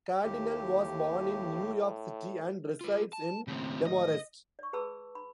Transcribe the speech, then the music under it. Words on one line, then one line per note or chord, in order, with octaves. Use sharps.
Cardinale was born in New York City, and resides in Demarest.
D#2 A2 G4
F4 B4
A5
D#2 A2 C#3 C4
D#5
D5 C#6
G#4 B4 A5 B5 E6
B5